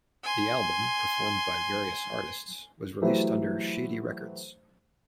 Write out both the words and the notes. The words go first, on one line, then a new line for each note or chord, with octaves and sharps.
The album, performed by various artists, was released under Shady Records.
G#5 C6
E3 F#3 A3 G4 B4 C5